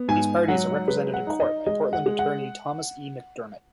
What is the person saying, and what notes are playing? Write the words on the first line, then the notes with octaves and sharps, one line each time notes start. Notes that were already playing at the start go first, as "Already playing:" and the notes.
These parties are represented in court by Portland attorney Thomas E. McDermott.
Already playing: B3
G#2 G#5
F#3 F#5
G#3 B4
F#5
D#4
D#5
G#3 D#5
F#5
G#3
F#5